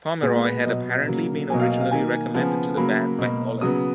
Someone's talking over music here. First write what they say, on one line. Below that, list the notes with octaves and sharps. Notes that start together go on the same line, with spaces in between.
Pomeroy had apparently been originally recommended to the band by Nolan.
A#2 G#3 B3 G#4
B4
B2 F#3 B3 D#5
C#3 F#3 A#3
B2 F#3 A#3 G#5
F5
D#5
F5
D#3 A#3 G#5
C#3 F3 B3
C#3 F#3 A#3 B5
B2 A#3
C#3 F#3 B3 D#6